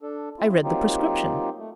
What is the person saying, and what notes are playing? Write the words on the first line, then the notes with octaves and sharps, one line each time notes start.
I read the prescription.
D4 A4
C4 E4 F4
F#3 A#3 C4 D#4 F4 G4
A3